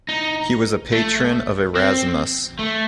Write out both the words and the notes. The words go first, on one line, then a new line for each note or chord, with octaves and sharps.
He was a patron of Erasmus.
D#4
A3
C4
A3